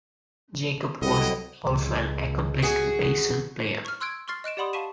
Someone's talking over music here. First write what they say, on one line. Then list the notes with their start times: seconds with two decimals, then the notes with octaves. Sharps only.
Jacob was also an accomplished bassoon player.
1.02 C2 F#3 B3 A4 D#5 G5
1.65 C#2
2.62 F#4 G#4
3.85 C#6 F6
4.01 C6 E6 F#6 G#6 D7
4.28 C6 C#6 F6 A6 C7
4.44 D#5 F#6 D7 E7
4.57 G4 D5 F#5 B5 C6 D#6
4.73 F5 A5 C#6 B6 D#7 E7